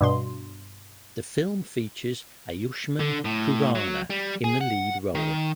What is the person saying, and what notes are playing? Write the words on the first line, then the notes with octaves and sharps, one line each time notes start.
The film features Ayushmann Khurrana in the lead role.
G2 B2 C6
D3
A2
F#3
G3
G#4
F#5
D#3